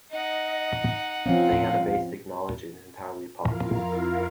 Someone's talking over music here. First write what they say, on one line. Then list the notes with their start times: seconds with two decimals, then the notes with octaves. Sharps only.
Staying on the basic knowledge is entirely possible.
0.11 D#4 D#5 F#5
1.26 F3 C4 C#4 F5
3.39 F2 E4 F4 A#4 F5